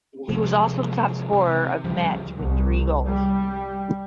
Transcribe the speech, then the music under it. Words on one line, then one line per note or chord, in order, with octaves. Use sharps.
He was also the topscorer of the match with three goals.
C3 F3 G#3
C3
D2 C#3 F3 G3
C2
G3